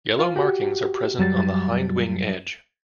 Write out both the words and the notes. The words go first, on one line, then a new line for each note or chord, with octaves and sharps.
Yellow markings are present on the hindwing edge.
F4
F#4 G4
F#2 F#3 G3 A6